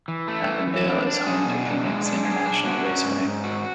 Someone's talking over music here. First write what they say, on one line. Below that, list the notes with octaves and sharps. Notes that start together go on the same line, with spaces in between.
Avondale is home to Phoenix International Raceway.
E3
A3
E3
E3
D4
D4
G#4
B2
D4
G#3
D4
G#4
D4
F#4
C#4
G#2
G#2
F#4